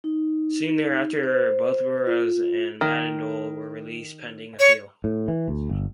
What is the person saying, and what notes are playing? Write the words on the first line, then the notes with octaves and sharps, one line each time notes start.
Soon thereafter both Burros and Madole were released pending appeal.
D#4
C5
F4
D#3
C#5
A2
E3
D2
G1